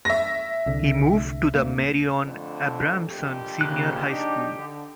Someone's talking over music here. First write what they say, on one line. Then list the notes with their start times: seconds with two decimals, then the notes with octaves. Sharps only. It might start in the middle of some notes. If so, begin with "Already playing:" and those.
He moved to the Marion Abramson Senior High School.
0.05 E5 A#6
0.66 C2 D3
1.54 D1 D2 A#3
2.24 F2 D3 A3
3.09 A#1 F2 G4
3.61 C#3 A#3 F#6
4.09 D4 D#4 G4
4.57 D3